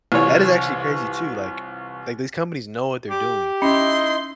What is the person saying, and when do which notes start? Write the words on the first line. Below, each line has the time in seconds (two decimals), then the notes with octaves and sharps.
That is actually crazy too, like like, these companies know what they're doing,
0.12 C2 E3 F4 C#5
3.10 G4 D6
3.62 C#4 D#4 E4 D#5 C6